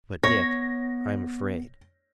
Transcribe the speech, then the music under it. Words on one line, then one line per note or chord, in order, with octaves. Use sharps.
But, Dick, I'm afraid.
B3 C#5 A#6